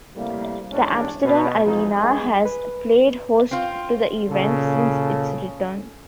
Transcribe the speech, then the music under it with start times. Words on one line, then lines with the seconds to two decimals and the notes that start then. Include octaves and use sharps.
The Amsterdam Arena has played host to the event since its return.
0.16 A2 C3 G3 A#3
0.72 A1 E2 G#2 B3 C#4 D4
1.23 B2
1.65 A1 G2 F3 C4 D#4 G#4
1.98 G2 G3 G#3 G#4
2.45 B4
3.51 C4 F4
4.30 A#2 C#3 A4